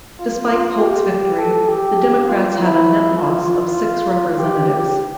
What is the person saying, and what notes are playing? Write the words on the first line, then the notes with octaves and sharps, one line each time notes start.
Despite Polk's victory, the Democrats had a net loss of six Representatives.
F4
F4
G4
A4
G4
F4
E4
F4
F4
G4
G4